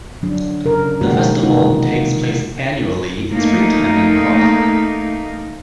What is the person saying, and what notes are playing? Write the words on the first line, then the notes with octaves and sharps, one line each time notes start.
The festival takes place annually in springtime in Prague.
D3 F#3 D4
C#3 A#4
B2 D#3 G#3 A#3 F#4 G4
C3 E3 A#3 D#4 F4 F#4
A3 A#3 D#4